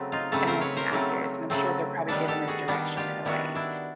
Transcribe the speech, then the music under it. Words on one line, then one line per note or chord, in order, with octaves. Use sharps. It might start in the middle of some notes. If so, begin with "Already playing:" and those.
American actors, and I'm sure they're probably given this direction in a way.
Already playing: C#3 F#3 A3 C4
D#4 F4
C#3 F#3 A3 C4 A4 B4
A#4 C5
B4 C#5
A#4 C5
C#3 F#3 A3 C4
C#3 F#3 A3 C4
D#3 G3 B3 D4 A4 B4
G4 A4
F#4 G#4
D#3 G3 B3 D4
F4 G4
D#3 G3 B3 D4 E4 F#4
D4 E4